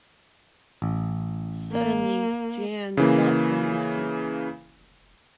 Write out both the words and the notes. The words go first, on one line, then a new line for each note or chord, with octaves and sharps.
Suddenly Jeanne stopped for an instant.
A1
A#3
C#3 E3 A#3